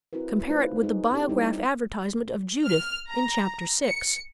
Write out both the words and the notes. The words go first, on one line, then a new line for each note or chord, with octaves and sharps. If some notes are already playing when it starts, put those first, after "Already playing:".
Compare it with the Biograph advertisement of Judith in chapter six.
C4 E4 F#4 A#4 B4
A3 D#4 F4 B4 C5
D#4 G#4
C4 D4 G4 A4
G3 D#4 E4 C#5
F6
A#5
C#7